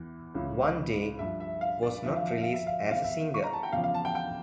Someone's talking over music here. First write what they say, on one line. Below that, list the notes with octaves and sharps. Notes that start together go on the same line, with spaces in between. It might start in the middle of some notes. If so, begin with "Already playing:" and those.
"One Day" was not released as a single.
Already playing: E2 E3
C#2 C#3 E3
G2 F3 E5
E5
F5
D5
F2 D3 F3 E5
F5
E5
F5
E5
F5
E5
E2 E3 F5
E5
C#6
A#5
A5
G5
E2 C#3 F3 F5
F5
A5
G5
G5